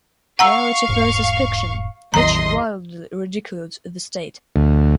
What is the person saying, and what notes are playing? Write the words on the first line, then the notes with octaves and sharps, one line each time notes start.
Reality versus fiction, which widely ridiculed the state.
F5 F#5 A#5 C#6 E6
E1 G#2
A1 E2 D#3 F#3 D#5 A#5 C6
D2